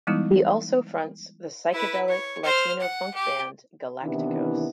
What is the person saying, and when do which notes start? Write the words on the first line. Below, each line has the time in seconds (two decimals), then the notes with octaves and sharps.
He also fronts the "psychedelic latino-funk" band Galaktikos.
0.07 E3 G3 G#3 B3 D#4 E4
1.72 E4 B4
2.08 C#5
2.44 C5 F6
2.80 F#5
3.15 G4
4.03 C3 D#3 E3 B3 D4 E4